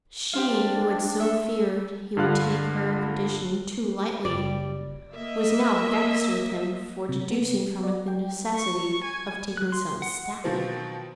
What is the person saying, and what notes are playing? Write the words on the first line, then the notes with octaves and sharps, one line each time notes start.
She who had so feared he would take her condition too lightly was now vexed with him for deducing from it the necessity of taking some step.
D4 G4 C5 F5
A4 E5
G2 D3 F4 F5 F#6
F#1 G3 D5
A#3 D#5 E5
C3
B3
D5
G5
C#6
G#5
F#6
C6
F#5
B2 D#3 F3 F#3 C4